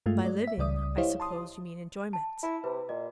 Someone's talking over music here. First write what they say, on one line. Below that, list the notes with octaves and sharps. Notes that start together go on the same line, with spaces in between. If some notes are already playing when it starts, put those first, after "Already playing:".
'By living, I suppose you mean enjoyment.'
G2 G#3 A3 F4
G#3 D5
E5 B6
C#2 C#3 G3 D5 D#6
E4 G4 C5 C#5 D#5 F5
A5 C6 D#6
A5
E4
C3 B4
A#2 D#5